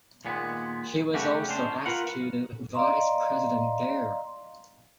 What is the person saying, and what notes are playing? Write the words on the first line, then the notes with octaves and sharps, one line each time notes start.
He was also executive vice president there.
D#2 A#2 G#3 B3
C#3 G3 A3 C#4 F#4 G4
C#4 D4 C5
F4 A#4 B4 F5 F#5
D5 D#5 F5 A#5 C6